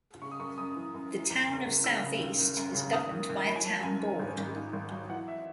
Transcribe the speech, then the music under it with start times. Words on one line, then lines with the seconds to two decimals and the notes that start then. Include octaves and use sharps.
The Town of Southeast is governed by a town board.
0.22 C#3 C#6
0.31 D#6
0.39 F#2 C#6
0.58 F#2 D#6
0.76 E3
0.94 F#2
1.12 E3
1.30 E2
1.48 F#1
1.66 F#1
1.84 C#3 E6
2.03 C#3
2.20 D#2
2.39 F#1
2.57 F#2
2.75 C#3
2.93 D#2 D#6
3.11 D#2
3.29 D#2
3.47 F#3 B5
3.56 G#5
3.65 F#3 A5
3.83 F#2 G#5
4.02 D#3
4.20 G#1
4.38 G#1
4.56 G#2
4.73 G#1
4.92 F#3
5.10 E3 F#5
5.28 E5